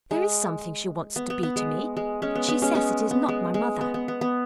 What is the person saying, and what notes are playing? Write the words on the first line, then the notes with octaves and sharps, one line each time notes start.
There is something she wants to be to me, but she says it is not my mother.'
G#3
B3
B3
B3
G#3
G#3
G#3 C#4
B3
B3
G#3 C#4
G#3 C#4
B3
G#3
G#3
B3
B3
B3
B3